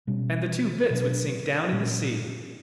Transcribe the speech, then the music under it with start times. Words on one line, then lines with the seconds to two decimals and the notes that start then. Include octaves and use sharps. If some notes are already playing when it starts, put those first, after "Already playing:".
"And the two bits would sink down in the sea!"
0.07 B2 G3 C#4
0.90 B2 F#3 B3 D4
1.72 A#2 F#3 A#3 C#4